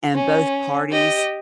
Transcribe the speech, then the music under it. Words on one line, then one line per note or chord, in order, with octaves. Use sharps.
and both parties
C#4
G4 D#5